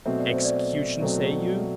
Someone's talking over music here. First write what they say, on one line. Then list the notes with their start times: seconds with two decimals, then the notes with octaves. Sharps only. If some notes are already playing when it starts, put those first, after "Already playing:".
Execution, say you?
0.06 B2 F#3 A3 C4 E5
0.18 D5
0.32 C5
0.44 D5
1.00 B2 F#3 A3 C4